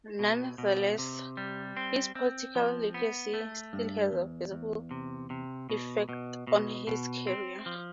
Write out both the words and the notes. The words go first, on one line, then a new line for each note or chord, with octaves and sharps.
Nonetheless, his political legacy still has a visible effect on his career.
B2
B2
C3
G3
C4
C4
F3
B3
A3
G2
E2
E2
C3
C3
B2
B2
B2
B2
C4
F3